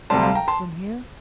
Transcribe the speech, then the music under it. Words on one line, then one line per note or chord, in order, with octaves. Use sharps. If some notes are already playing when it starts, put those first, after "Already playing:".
"A league from here."
D2 C3 G3 A5 C6
F5 A5
G5 A#5
A5 C6